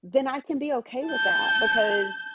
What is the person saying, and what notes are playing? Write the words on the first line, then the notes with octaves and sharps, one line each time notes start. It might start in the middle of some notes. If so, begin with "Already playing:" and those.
then I can be okay with that because,
A5 G6